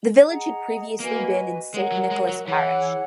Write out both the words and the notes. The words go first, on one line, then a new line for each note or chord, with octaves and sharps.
The village had previously been in Saint Nicholas Parish.
G#4 D#5 F#5 A#5
A#3 F#4 B4 D#5 G#5
G#3 A#4 C#5 F#5
F#3
G#3
F#3
E3 G#4 C#5 F#5